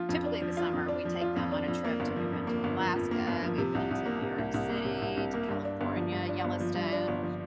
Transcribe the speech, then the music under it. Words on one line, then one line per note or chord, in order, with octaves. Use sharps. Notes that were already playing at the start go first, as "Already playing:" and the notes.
typically, the summer, we take them on a trip to we've been to Alaska, we've been to New York City, to California, Yellowstone,
Already playing: F3 F4
F2
D4
F3
F4
F2
D4
F3
F4
F2
D4
F2
A#3
G1
F3
F2
A#3
G1
F3
F2
A#3
G1
F3
C3
C2
C2
A#3
C3
C2
C2
A#3
C3
C2
C2
A#3
G2
D4
G1
F3
G2
D4
G1
F3
G2
D4
G1
F3